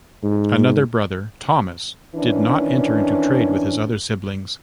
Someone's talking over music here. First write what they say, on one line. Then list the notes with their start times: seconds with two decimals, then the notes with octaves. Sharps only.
Another brother, Thomas, did not enter into trade with his other siblings.
0.23 G#2
2.16 D#3 E3 C#4 D4